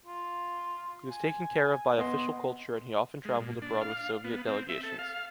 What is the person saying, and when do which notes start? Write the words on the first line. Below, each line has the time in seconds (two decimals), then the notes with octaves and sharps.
He was taken care of by official culture and he often travelled abroad with Soviet delegations.
0.06 F4
1.11 G#5
1.98 B3 D#5 C6
3.25 G#3
3.40 A#2
3.62 D4
3.81 F5
4.24 B3
4.47 C4
4.69 E5
4.83 A4
4.99 F5